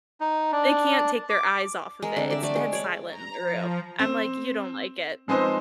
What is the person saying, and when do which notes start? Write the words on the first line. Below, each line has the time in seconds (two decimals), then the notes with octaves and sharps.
They can't take their eyes off of it, it's dead silent in the room, I'm, like, "You don't like it?"
0.20 D#4
0.52 D4
1.29 D6
2.02 G#3 A#4
2.16 D3 C4
2.30 D5 E5
2.43 A3 D5
2.56 G#3
2.73 C#5 D5
3.08 A#5
3.38 F3
3.99 C4
5.28 F3 G#3 C4 D#4 B4 C5